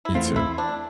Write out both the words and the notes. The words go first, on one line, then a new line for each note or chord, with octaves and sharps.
You too.
E4
E2 E3 A3 C4 F4
E4
D4